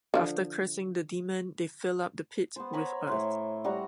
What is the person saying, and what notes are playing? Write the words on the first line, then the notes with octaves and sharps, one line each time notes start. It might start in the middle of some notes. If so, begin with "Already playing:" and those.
After cursing the demon, they fill up the pit with earth.
D3 F3 F4
B3 C5
C#5 A#5 B5 C#6
A2 E5 C6
G3 F#4 F#5 A#5